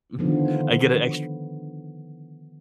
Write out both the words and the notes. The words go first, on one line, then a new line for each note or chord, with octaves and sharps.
Mhm, I get it extr
D3 D#3 F3 B3